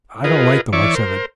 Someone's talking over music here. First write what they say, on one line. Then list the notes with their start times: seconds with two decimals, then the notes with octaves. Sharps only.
I don't like the looks of it.
0.24 F4 G#4 A#4 B4 D#5
0.73 E3 C#5 D5 E5 C#6 D6
0.95 A#4 C5